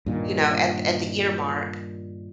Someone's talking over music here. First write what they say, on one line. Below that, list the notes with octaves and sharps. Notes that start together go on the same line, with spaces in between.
you know, at at the year mark,
G2 A#2 D#3